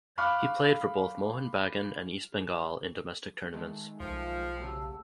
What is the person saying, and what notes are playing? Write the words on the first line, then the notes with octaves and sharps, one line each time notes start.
He played for both Mohun Bagan and East Bengal in domestic tournaments.
F5 B5 C#6 D6 F6 F#6
D#3 G#3 A3
B1 F3 F4 G5 C6
C#3 F#3 A3 G4 A5 E6